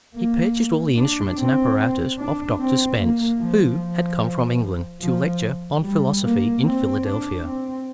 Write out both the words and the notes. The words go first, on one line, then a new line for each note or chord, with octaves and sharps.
He purchased all the instruments and apparatus of Dr. Spence, who had come from England to lecture on philosophy in Philadelphia.
A#3
D4
C4
D4
C4
A#3
F3
F3
F3
G3
A#3
C4
D4
C4